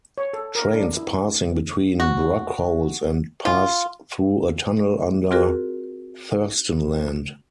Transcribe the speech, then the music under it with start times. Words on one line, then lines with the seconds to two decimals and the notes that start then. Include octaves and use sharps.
Trains passing between Brockholes and pass through a tunnel under Thurstonland.
0.18 C#5
0.33 A4
0.55 A#4
0.74 D4
0.97 E4
2.00 F#4
3.45 F4
5.31 C4 F4 F#4 G#4 A#4